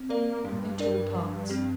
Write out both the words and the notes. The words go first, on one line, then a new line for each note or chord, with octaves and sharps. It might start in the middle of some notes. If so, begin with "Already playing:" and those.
In Two Parts.
Already playing: C4
A#3 A#4 D5
G2 G3
A#2
G2
D4 A#4 D5
F3
C4 G4